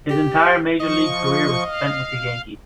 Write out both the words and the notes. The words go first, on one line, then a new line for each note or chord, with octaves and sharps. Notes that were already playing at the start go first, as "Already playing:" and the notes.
His entire major league career was spent with the Yankees.
G4
F3 D#5 C#6
F5